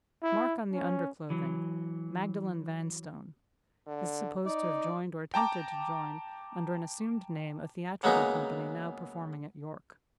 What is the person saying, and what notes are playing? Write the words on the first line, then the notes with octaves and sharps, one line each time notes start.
Mark on the under-clothing--'Magdalen Vanstone.' Is supposed to have joined, or attempted to join, under an assumed name, a theatrical company now performing at York.
E4
C#4
E3 F#3
D3
D#4 D5
G5 A5 A#5 D6
C#3 F#3 G#3 A#3 B3 D#4